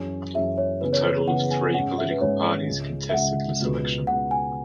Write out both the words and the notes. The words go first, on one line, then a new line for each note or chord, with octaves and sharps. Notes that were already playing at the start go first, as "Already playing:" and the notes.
A total of three political parties contested this election.
Already playing: F#2 E3 C#4 G#4
F#2 E3 C#4 G#4 E5
C#5
C#3 E3 B3 G#4 B4
C#5
B4
G#4
C#3 E3 B3 G#4 F#5
G#5
G#2 G#3 C#4 F#5
E5
B4
G#2 G#3 C#4 C#5
C#2 C#3 G#3
E5
C#2 C#3 G#3 F#5
C#2 B2 B3
C#2 B2 B3 F#5
G#5